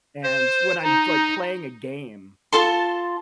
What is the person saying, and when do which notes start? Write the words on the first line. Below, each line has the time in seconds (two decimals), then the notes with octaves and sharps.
and when I'm, like, playing a game,
0.23 C5
0.84 D#4
2.52 F4 A4 A5 C6